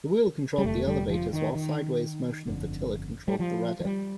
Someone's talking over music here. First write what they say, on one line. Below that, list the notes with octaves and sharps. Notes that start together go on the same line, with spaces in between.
The wheel controlled the elevators while sideways motion of the tiller controlled the rudder.
G3
F1 F2 D3 A3
G3
F3
D#3
D#3
G1 F2 D3
G3
F3
F3
G3